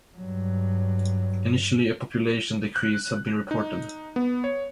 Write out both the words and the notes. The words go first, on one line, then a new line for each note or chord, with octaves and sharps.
Initially a population decrease had been reported.
G2 F#3
F#6
D#4
B3
C#5